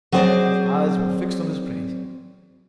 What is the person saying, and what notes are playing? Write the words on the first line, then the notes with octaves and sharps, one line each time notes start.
His eyes were fixed on his plate.
F#3 C4 G#4 C5 D5 D#5